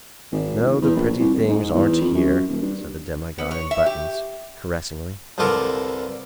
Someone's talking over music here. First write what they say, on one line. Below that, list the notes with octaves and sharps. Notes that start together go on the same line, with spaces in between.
"No, the pretty things aren't here," said the demi-god in buttons, caressingly.
G#1
E1
E2
A#1
C2
D#1
G#2
E2
F2
F#2
D#1
G2
B3
C#5
E5
G4
C2 G2 D3 F4 A4 A#4